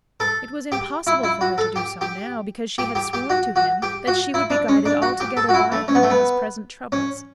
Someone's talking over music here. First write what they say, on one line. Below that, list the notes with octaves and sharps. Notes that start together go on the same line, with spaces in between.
It was impossible for her to do so now, because she had sworn to him that she would be guided altogether by him in his present troubles.
A4
G4
E4
E4
F#4
A4
G4
G4
G4
G4
G4
F#4
F#4
G4
F#4
E4
D4
C#4
D4
F#4
G4
A4
F#4
E4
A3
C#4
B3
A3
B3
C#4